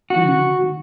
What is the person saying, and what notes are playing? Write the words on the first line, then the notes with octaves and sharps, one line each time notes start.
Mhm mm.
F#4